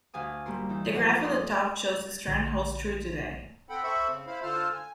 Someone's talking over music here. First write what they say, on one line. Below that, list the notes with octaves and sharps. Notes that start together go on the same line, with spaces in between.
The graph at the top shows this trend holds true today.
D2 F5 G#5 D#6
A#2 G3 A#3 A#4 C6
E3 D#4
F2 A#2 D4 A4 C5 F#5
D5 D#5 C6
A#1 D3
C4 A4 F#5 G5 B5
A4 C5 E5 B5 C#6
C#3 C4
E4 C5 F5 B5
D3 F4 A4 C5 A5 F6
G#5